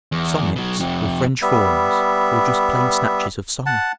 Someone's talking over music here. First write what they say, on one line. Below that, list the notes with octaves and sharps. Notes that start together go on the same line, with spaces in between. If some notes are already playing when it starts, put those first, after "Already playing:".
"Sonnets, or French forms, or just plain snatches of song?"
E2
B2 F#3
F2 C3
G3 B3 E5
F#5 A5